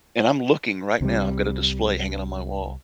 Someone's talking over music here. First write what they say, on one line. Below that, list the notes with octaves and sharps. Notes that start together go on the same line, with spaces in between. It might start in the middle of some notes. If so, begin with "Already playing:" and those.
and I'm looking right now, I've got a display hanging on my wall.
C2 C3 D#3 G3